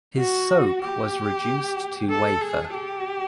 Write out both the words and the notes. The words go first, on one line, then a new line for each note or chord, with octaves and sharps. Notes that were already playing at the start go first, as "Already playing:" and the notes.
His soap was reduced to wafer.
F#4
G4
A4
G#4
G4